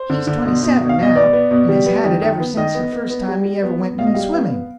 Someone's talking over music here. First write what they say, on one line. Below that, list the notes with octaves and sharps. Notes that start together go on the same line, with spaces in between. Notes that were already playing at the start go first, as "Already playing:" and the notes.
He's twenty-seven, now, and has had it ever since the first time he ever went in swimming.
Already playing: C5
D3
D3
B2
B2
B2
F5
B2 D#5
B3 D5
B3
B2
G3
B3
D#3
D#3
B3
D#3 D#5
B3
B3
B3
G3
G3
B3
B3
B2 F5
D#5
G3 F5
B3
B3